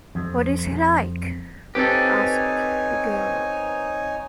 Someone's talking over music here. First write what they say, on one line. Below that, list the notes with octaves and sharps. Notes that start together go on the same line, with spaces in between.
What is he like? asked the girl.
F2
C4 D#4 G4 A4 B4 C#5 G#5